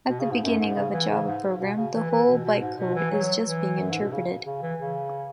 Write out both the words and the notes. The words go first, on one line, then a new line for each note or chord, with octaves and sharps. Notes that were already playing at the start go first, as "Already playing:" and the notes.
At the beginning of a Java-Program, the whole Bytecode is just being interpreted.
B2
C#3
G#2
F#2
G#2
C#3
E3
C#3
G#2
B2
C#3
E3
E3
B2
B2
G#2
B2
E3
F#3
E3
F#2
G#2
B2
C#3
C#3
E3
C#3